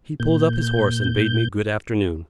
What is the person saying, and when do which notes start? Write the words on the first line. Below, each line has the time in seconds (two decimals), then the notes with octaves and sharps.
He pulled up his horse and bade me good-afternoon.
0.20 A#2 G6